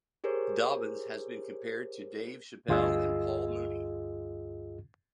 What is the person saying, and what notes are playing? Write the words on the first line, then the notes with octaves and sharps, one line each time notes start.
Dobbins has been compared to Dave Chappelle and Paul Mooney.
G4 G#4 A#4 C5 C#5
D2 G2 F4 G#4 D#5 E6